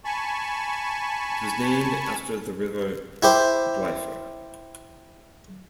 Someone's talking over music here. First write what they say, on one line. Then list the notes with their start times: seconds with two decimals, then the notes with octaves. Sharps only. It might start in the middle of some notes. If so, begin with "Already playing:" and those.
It was named after the river Dwyfor.
0.05 G#5 A5 B5 C#6
3.23 E4 G4 C5